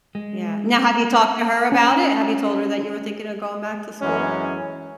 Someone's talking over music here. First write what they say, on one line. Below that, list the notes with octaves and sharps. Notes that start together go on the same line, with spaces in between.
Yeah now, have you talked to her about it? Have you told her that you were thinking of going back to school?
G#3
C#4
F#2 E3 G#3 C#4